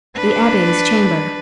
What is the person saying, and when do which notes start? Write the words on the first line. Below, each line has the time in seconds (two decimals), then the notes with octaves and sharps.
The Abbe's Chamber.
0.17 D4 B4